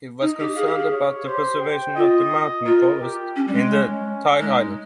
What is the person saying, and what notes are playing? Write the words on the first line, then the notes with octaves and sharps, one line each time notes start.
He was concerned about the preservation of the mountain forests in the Thai highlands.
D#4 D#5
G4
G#4 F5
G4
G#4
C#5
G4 C5
G5
F4 D#5
F4 A#4
G4
C#4
G3
G#3
C#4
C#4
G#3 D#4